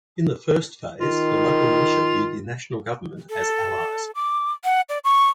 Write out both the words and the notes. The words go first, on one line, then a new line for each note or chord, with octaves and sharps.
In the first phase the local militia viewed the national government as allies.
D#3 F4
A4
D6
F#5
D5
C#6